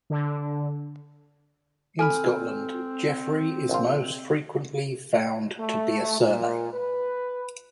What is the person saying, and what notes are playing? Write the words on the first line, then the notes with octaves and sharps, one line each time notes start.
In Scotland, Jeffrey is most frequently found to be a surname.
D3
C4 A4 G#5 B5 F6
A#1 F4
A3
A#2
B4